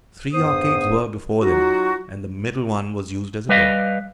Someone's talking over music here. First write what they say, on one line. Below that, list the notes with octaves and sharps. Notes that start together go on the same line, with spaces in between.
Three arcades were before them, and the middle one was used as a door.
E2 G2 B3 C5 D#6
F#3 D#4 F4 F#4
G3 B4 D#5 F5